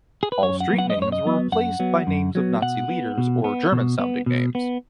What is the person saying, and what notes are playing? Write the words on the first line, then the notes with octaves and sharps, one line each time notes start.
All street names were replaced by names of Nazi leaders or German sounding names.
G#4
B4
F#2 C#5
F#5
F#3 B3
F#5
D#5
F#2
C#5
D#5
F#3 B3
F#2 F#5
F#3 B3
F#2
F#3 B3
B2 F#5
B3
B2
B3
B2
B3
B2
B3